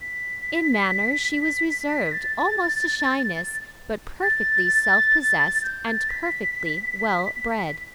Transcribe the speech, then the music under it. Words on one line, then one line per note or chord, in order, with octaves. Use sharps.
In manner she was reserved almost to shyness, but perfectly self-possessed, and perfectly well-bred.
B6
A6
A6
G6
A6
B6